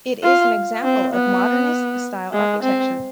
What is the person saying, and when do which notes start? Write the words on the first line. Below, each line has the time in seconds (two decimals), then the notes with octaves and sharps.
It is an example of modernist style architecture.
0.23 F4
0.83 C4
1.13 B3
2.33 G#3
2.63 C4